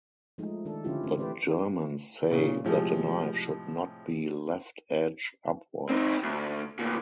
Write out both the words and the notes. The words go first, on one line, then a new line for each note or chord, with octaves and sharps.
The Germans say that a knife should not be left edge upwards.
F3 G#3 A3 D#4
D#3 D4 A4
D3 F3 C#4 E4 F4 G4
A3 C4
E3 G4 B4 C5 D5
A#2 C#3
A2 C3 F3 G#3
C4 D#4
D2
D2 A#2